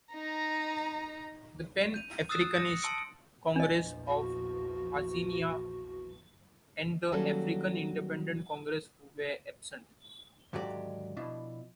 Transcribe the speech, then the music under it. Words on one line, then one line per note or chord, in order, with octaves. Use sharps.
The Pan Africanist Congress of Azania and the African Independent Congress were absent.
D#4 A#5
G6 D#7 F7
D#6 E6 F#6 A6 C7 E7
D#6 E6 A6 A#6 C#7
A5 C6 E6 C#7 D7
A#1 E2 F3 D4 D#5
F#4
D#3 F#3 G3 A#3 C#4 A4
D#2 G#2 D3 F#3 G4 D5
B2 F3 D4 E4